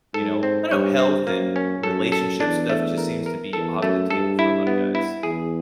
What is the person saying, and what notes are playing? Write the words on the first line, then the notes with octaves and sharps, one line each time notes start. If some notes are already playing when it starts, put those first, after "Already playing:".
you know I don't know, health and relationship stuff just seems to be off the table for a lotta guys.
G#2 A4
C4
G2 C#5
C4
F#2 A#3
C#4
F#2 A4
A4
E2 D4
A3
A#4
A#4
E2 A4
F#2 A3
G2 A4
E4
B3
E4
E2 G#4